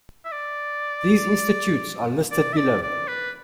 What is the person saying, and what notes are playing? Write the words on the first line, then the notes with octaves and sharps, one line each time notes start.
These institutes are listed below.
E5
D5
D5
E5
D5
D5
B4